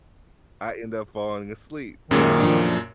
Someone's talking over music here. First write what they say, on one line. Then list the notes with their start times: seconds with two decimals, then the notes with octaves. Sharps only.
I end up falling asleep. Now,
2.11 F#2 A#2 D#3 G#3 A3 C#4
2.39 F3 A3 D4